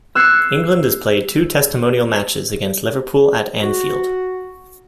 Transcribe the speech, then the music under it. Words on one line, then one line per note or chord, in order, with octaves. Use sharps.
England has played two testimonial matches against Liverpool at Anfield.
E6 F#6 G#6 C7 C#7 E7
F#4